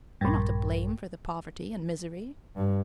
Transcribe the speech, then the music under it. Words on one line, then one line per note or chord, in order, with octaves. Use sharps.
We're not to blame for the poverty and misery.
A#1 G2
G2